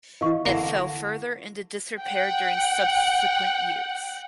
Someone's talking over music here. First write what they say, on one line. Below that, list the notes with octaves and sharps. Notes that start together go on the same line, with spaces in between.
It fell further into disrepair during subsequent years.
E3 D#5 F5 C#6
D3 A#3 E4 A#6
F#5 G5